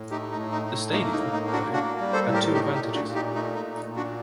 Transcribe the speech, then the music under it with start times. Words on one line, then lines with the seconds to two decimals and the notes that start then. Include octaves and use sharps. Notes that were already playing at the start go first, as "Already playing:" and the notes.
The stadium, though, had two advantages.
Already playing: A2
0.11 A3 D#4 G4
0.31 D#4
0.38 A2
0.52 D#4
0.65 A3
0.92 A#3 D#4
1.12 D#4
1.19 A2
1.33 D#4
1.46 A#3
1.53 D4 F#4
1.73 A#3 D4 F#4
2.00 G3
2.13 A4 C5
2.27 A2
2.33 G4 A#4
2.54 A3 D#4 G4
2.74 D#4 G4
2.81 A#2
2.94 D4 F#4
3.08 A#2
3.15 D#4 G4
3.35 A3 D#4
3.55 D#4
3.62 A#2
3.75 D#4
3.89 A#2
3.96 D4 F#4